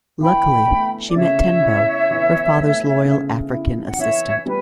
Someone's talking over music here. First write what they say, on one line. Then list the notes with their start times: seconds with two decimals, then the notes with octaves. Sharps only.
Luckily, she meets Tenbo, her father's loyal African assistant.
0.20 E3 G5 B5
0.67 A3
1.08 D5
1.16 C#3 C#5 E5
1.62 E4
2.10 E3
2.57 A3
3.04 C#3
3.51 E4
3.88 F#5
3.98 E3 C#5 E5
4.46 G3 B4